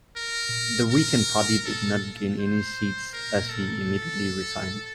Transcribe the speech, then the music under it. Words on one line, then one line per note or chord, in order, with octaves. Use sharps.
The weakened party did not gain any seats and he immediately resigned.
A#4
A#4
A4
C5
A#4
A4